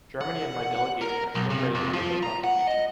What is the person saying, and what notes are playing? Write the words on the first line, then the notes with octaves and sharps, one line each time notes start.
Germany and my delegation are still ready to make our contribution.
F#5
A#4
B1
C3
F2
F3
A#5
F#5
D#5